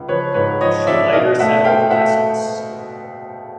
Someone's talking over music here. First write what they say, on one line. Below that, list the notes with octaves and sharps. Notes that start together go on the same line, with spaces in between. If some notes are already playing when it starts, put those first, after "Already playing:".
She later settled in Essex.
Already playing: C#2
F3 B4 C#5
G#2 B4 C#5
F3 C#5 D#5
F3 D5 E5
B2 D#5 F5
A3 E5 F#5
C4 F5 G5
A3 E5 F#5